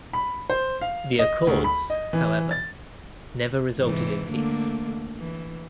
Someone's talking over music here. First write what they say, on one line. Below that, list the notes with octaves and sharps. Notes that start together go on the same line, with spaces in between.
The Accords, however, never resulted in peace.
B5
C5
F5
D#5
D2
B5
D#5
E3
A6
G#2 C3 E3
D3 A3 A#3
E3